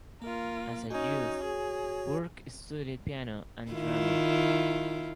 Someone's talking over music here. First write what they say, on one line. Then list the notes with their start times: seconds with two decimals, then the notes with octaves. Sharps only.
As a youth, Burke studied piano and drama.
0.22 A#3 F4 A#4
0.91 C#4 D#4 F#4 C#5
1.43 G#4
3.71 D#3 E4 F4